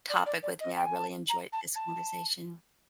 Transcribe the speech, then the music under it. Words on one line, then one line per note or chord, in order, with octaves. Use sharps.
topic with me. I really enjoyed this conversation.
D5
D5
D5
D#5
G5
G#5
A5
A#5
A5
A5